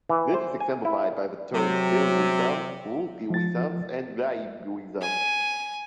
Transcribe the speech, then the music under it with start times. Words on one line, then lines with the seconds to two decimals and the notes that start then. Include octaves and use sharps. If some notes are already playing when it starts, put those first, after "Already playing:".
This is exemplified by the terms bill-guisarmes, voulge-guisarmes, and glaive-guisarmes.
0.09 E3
0.34 C5
0.60 G#5
0.85 E4
1.54 C3 F#3
3.30 F3 A6
5.01 G#5